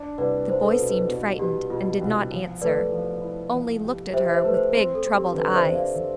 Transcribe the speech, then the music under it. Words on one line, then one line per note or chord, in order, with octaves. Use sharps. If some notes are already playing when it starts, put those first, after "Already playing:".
The boy seemed frightened, and did not answer, only looked at her with big, troubled eyes.
Already playing: D4
C2 B4 D5
D4 C5
A4
B4
B2
B4
B2
B3 G4
B2 F4
C2
F3
A3 B4 D5
F3
E4
F3
G4
G4 C5 E5
C5 E5
A3 B4
C5
C4 C5
A4
C4
G4
D3 B4
D5
C5 E5
D3
D5 F5
D3